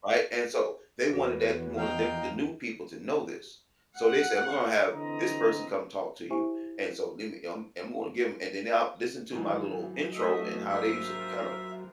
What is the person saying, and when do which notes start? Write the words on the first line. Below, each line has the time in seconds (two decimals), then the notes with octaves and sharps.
right, and so, they wanted that wanted the the new people to know this, so they said, "We're gonna have this person come talk to you," and so, "Let me I'm I'm gonna give 'em" and then they all listen to my little intro and how they used to, kind of,
1.13 E2 F#4 B4
1.77 D#5 F5 G5 A#5
3.96 F#5
4.93 D3 E3 C4 D#5 A#5
6.30 E4 G4 C5 E5 G#5 C#6
9.32 G#2 D#3 E3 F#3
10.12 A3 D#5 E5
10.69 A#1 G#2 F4 A#4 C5 E5